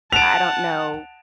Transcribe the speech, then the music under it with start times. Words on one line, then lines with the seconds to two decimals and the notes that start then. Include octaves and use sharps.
I don't know,
0.12 F#5 A5 D7 E7 F7